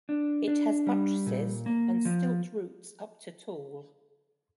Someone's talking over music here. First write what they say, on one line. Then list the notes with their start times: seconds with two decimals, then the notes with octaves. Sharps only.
It has buttresses and stilt roots up to tall.
0.09 D4
0.48 D4
0.87 G3
1.26 A#2
1.66 A#3
2.05 F3